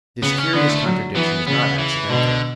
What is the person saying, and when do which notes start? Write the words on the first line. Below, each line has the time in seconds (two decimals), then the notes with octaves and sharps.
This curious contradiction is not accidental.
0.22 C#3 B3
0.38 C#4
0.53 D3 B3
0.69 A3
0.85 F#3
1.16 E3 B3
1.47 C#3 B3
1.78 E3
2.09 B2 D3